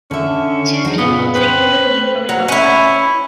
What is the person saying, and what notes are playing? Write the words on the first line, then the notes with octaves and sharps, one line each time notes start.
Two people take in the view from a hillside.
D3 C#4 E5
F#3 D#4 G#4
A#2 C#3 B3
C#4 B4 C5 G5
F#3
C#4 E4